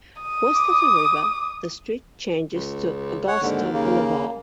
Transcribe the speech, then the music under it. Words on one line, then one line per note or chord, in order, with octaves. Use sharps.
West of the river, the street changes to Augusta Boulevard.
D#6
D6
C#2
C#5 F#5
D#2 G#2 D3
C#3 A#3